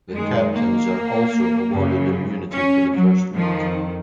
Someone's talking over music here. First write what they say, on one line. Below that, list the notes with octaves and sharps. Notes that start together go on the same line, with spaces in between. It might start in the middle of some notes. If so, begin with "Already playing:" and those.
The Captains are also awarded immunity for the first week.
F#2 D#3 G#3
A#3
F#2 C#3
C#4
F#3
F2 D#3 F3